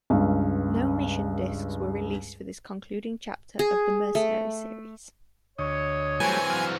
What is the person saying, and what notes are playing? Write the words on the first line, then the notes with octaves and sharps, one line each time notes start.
No mission disks were released for this concluding chapter of the "Mercenary" series.
C#2 G2
G#4
A3
D2 C#5 D#5
E3 F#3 G3 A3 C4 G#5
F#3 F5